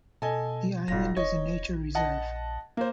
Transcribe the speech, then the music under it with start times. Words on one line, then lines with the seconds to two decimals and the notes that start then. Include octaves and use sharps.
The island is a nature reserve.
0.22 B2 A4 D#5 G#5
0.88 E1 B1 F4 A#6
1.16 E1 C#5 D#5
1.69 A#1
1.95 D#5 F#5 A5
2.77 A#3 C5